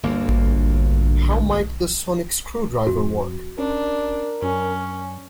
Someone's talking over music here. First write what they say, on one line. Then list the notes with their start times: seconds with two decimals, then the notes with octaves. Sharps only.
How might the sonic screwdriver work?
0.03 G1 D2 A#3
2.87 F2 F#4
3.59 C#4 D4 A#4
4.42 F#2 C#4